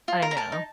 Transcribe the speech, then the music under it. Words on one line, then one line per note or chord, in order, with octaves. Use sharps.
I know.
F4
A#4
A#5
A#4 A5
D#4